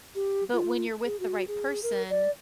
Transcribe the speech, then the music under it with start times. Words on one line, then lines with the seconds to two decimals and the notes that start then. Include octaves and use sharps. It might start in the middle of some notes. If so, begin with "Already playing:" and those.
but when you're with the right person,
0.15 G4
0.53 F4
1.05 G#4
1.20 F#4
1.48 G#4
1.83 A#4
2.10 D5